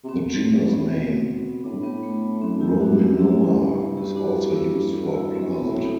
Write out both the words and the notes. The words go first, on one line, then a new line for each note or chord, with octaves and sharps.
The genus name "Romanoa" is also used for a plant.
C3
B2 C4
F#2
G2
A2
B2
A2 D4
G2
A2 B3
A3
B3
F#2 C4
E4 G4
E2
F#2 D4 F#4
E4 G4
F#2 E4 G4
G2
E4 G4
D4 F#4
F#4 A4
E4 G4
D4 F#4
E4
C4
A2 B3
B2
A2 C4